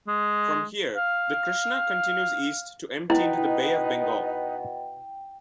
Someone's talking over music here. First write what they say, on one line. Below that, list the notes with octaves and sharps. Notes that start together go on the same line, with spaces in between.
From here the Krishna continues east to empty into the Bay of Bengal.
G#3
F5
B2 D#4 E4 B4 D#5 G5